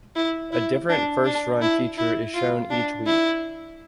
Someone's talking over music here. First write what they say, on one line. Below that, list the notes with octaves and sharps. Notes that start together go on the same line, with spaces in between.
A different first-run feature is shown each week.
E4
E4
D4
D4
E4
E4
F4
D4
E4